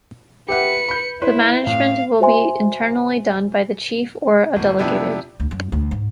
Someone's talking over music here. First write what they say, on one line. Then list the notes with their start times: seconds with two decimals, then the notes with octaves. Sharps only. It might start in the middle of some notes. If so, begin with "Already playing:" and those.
The management will be internally done by the Chief or a delegated.
0.49 G4 B4 E5 F#5 C#7
0.89 B5 G6
1.22 E4 B4 C#5 C6
1.67 A2 C4 F5
2.20 F#4 C5 E5 G#5 C6
4.56 G1 A2
4.78 F2 C3 B3 D4 E4 G4
5.40 D2
5.51 F#2
5.72 D2
5.91 G#2